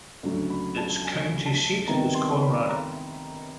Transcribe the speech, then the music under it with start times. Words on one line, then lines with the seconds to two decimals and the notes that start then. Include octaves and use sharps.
Its county seat is Conrad.
0.23 D2 C#3 F#3
0.50 B5
0.77 A5
1.05 G#5
1.46 A5
1.87 C3 D#3 G3 B3 A#5
2.15 C6
2.42 B5
2.69 A#5